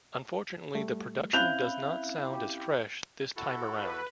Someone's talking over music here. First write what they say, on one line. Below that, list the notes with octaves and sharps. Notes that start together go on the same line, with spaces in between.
Unfortunately the production does not sound as fresh this time around.
G3 A3
C4 C#4 E4 F5 F#6 G6 F7
G4
E4 F#4 A4
B4